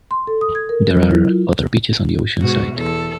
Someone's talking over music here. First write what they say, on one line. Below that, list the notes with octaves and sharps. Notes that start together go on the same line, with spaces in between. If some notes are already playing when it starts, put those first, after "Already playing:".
There are other beaches on the ocean side.
C6
A4
D#6
G#6
A#4
F#3
E4
F4
G#2 B2 F#4
E2 A4